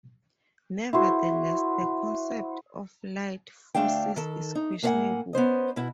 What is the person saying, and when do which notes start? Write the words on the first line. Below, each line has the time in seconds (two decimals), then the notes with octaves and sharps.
Nevertheless, the concept of "light" forces is questionable.
0.93 E4 F#4 C5
3.74 D2 D#3 A3 D4 F5 G5
4.16 D#3 A4
4.55 D#4
4.83 A2 A#3 B3 F5 F#5 G#5
5.33 B3 C#4 C5 D#5
5.76 B2 E4 F#4